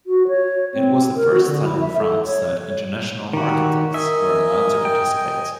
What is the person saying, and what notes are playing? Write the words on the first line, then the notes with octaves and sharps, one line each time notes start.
It was the first time in France that international architects were allowed to participate.
F#4
C#5
C4
A#4
F#4
D3
E4
E5
A4
C#5
D#3 F#4 G4
A#4 D#5 E5 G#5
G5